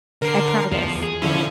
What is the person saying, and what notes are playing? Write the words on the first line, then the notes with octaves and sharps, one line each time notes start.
I promise.
D3 A#4 C7
E2 F3
G#4
D3 F3 C#4 E4